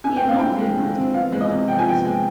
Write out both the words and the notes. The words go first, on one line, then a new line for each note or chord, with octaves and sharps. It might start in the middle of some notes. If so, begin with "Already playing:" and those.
He had not realized it would be like this.
D3 G#5
G5
C4
F5
D3 G5
G#3
D3
C4
B3 F5
G#3
D#5
C3
F3 G5
G#5
B3 G5
G#3